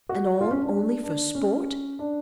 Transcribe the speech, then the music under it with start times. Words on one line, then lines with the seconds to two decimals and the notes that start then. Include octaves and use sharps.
And all only for sport?
0.09 F#4
0.41 F4
0.51 C#4
0.62 D4
0.73 D4
1.03 D4
1.35 C#4
1.99 D4